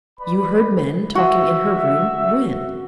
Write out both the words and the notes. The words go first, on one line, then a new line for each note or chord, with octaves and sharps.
"You heard men talking in her room--when?"
B4 D5 B5
F#4 E5